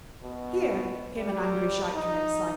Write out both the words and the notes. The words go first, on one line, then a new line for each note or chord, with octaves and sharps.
"Here!" came an angry shout from inside.
B2
G3
D#4